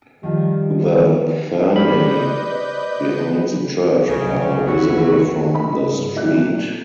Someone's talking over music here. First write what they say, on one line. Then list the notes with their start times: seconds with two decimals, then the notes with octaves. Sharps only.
The thermae behind the church are visible from the street.
0.23 D#3 F3 G3 F4
1.76 G4 B4 C5 D5 D#5 B5 F6 G6
4.09 C2 C#3 F#3
4.66 F2 C#3 E4 F#4
5.54 D#4 D#5 B5
5.87 G#2 C#3 G3
6.16 F2 F#3 A3 D5 E5 F#6
6.50 A#2